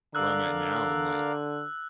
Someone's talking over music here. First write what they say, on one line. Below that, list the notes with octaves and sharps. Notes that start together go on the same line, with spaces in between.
where I'm at now and, like,
D3 A#4 D5 F5 E6 F#6